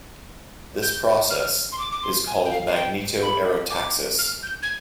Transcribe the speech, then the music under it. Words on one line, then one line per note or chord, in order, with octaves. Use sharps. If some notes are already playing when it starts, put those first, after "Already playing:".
This process is called magneto-aerotaxis.
G6
F6
C6
D6
D6
C6
G#5
G5
F5
F5
G5
B5
D6
F6
G6
G#6